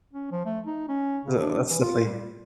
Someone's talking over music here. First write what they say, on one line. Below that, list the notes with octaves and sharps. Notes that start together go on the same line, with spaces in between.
Ugh, that's definitely
C#4
F3
A3
D#4
C#4
C#3
D4
E3
F4
G3